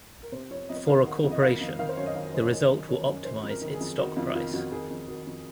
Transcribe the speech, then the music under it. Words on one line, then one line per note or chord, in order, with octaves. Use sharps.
For a corporation, the result will optimize its stock price.
A#4
C3 C5
F2 C#5
F2 D#5
D#3 F5
D#3 F#5
F2
D#5
D#3 F5
F2
D#3 F5
C5
F#2 C#5
D#5
D#3 F5
F#2 C5
C#5
D#3 D#5
F#2
D#3 C#5
F#2
D#3 C5
F2
A#4
D#3
G#4
F2
D#3 F#4
F2 F4
D#3 F4
F2 F#4
D#3 G#4
F2
D#3 F#4
F2